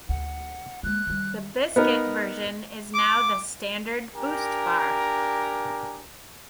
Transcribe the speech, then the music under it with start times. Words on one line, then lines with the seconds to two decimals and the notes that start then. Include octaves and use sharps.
The biscuit version is now the standard Boost bar.
0.09 D2 D3 F#5
0.83 G#3 A#3 F#6
1.06 D#3 G3
1.76 B3 D#4 A#4
2.94 D6
4.15 D4 G4 A#4 G#5 A#5